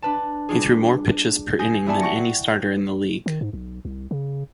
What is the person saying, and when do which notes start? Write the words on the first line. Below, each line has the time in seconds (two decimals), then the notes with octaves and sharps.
He threw more pitches per inning than any starter in the league.
0.02 D4 B4 A5
0.49 G3 D4 F4 G#4
1.59 G#5 D#6 G6 A#6
1.86 B3 E4 F#4 D5 G#5 A5
2.01 F#5 G5 C#6 A6 A#6 C#7
3.26 D#3
3.41 G#2
3.53 B1
3.85 C2
4.11 C#3